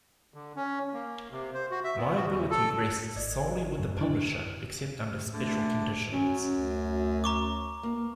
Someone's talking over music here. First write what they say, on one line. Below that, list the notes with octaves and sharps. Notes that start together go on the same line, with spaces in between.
Liability rests solely with the publisher, except under special conditions.
D3
C#4
A#3
C3
C5
F#4
E5
B3
F#4
E2
A4
G#1 D5 D#5 G#6
F#2 A2
D3 D4 E4
D3 A3
F#2 C#4
D2
A#5 C#6 D6
A#3